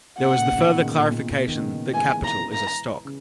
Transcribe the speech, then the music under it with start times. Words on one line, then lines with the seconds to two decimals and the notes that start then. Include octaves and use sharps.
There was the further clarification that capital is a stock.
0.19 B2 F#5
0.38 A#2 C#3
0.58 B2 D#3
0.77 A#2 C#3
0.96 A#2
1.10 A#2
1.17 B2
1.36 B2
1.48 D#3
1.55 A#2 C#3
1.94 E3 G#3 G#5
2.24 A#5
2.53 A#5
3.05 C#3